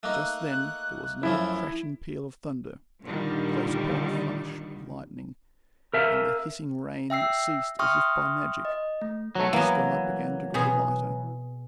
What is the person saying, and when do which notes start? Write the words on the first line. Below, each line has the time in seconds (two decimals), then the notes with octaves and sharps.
Just then there was another crashing peal of thunder, close upon a flash of lightning, and the hissing rain ceased as if by magic, while the sky began to grow lighter.
0.03 A3 A#3 D#4 F#6
1.23 F#2 F3 A3 E4
3.03 A#2 D3 D#3 G3
5.93 A#4 E5 F5
7.10 E5 G5 E6 C7
7.79 E5 G5 C6 C#6 D#6 F6
8.65 D#5
9.02 A3
9.35 F#3 A3
9.53 E3 F#3 A#3 B3
10.54 B2 G#4